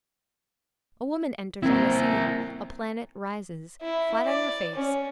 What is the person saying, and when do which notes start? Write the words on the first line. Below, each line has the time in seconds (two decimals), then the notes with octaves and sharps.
A woman enters on the scene, a planet rises; flat on your face!
1.63 A#3 C4 E4 A#4
3.82 E4
4.25 D5
4.76 C#4